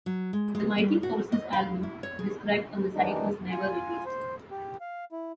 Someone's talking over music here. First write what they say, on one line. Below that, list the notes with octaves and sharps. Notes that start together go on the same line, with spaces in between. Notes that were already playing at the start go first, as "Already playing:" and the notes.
The Mighty Forces album described on the site was never released.
F#3
G#3
G#3
G3
F#4
D#5
F5
E4
C#5
G#4
D#3 E3 G#3 D4 D#4
F4 G#5
C5
G4
F5
E4